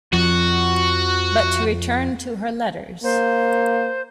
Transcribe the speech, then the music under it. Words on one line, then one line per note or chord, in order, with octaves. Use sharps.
But to return to her letters.
F2 F3 F#4
A#3 C5